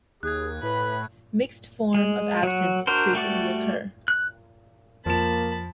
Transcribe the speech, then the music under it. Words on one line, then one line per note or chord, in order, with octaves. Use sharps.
Mixed forms of absence frequently occur.
D#2 G#4 F#6 G#6
A2 B4 B5
G#3
F#3 F#4
D4 F#4 A#4 C5
G3 A3 F#4 D5
F#6
F2 F3 A#3 A5 B5 E7